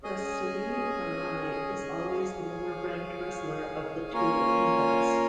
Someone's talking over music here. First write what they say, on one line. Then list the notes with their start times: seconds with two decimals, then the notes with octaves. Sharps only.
The "tsuyuharai" is always the lower ranked wrestler of the two attendants.
0.02 C#4 G#4 D#5 G#5
2.07 G#4 C#5 F5 G#5
4.12 A#3 C#4 F4 C#5 G#5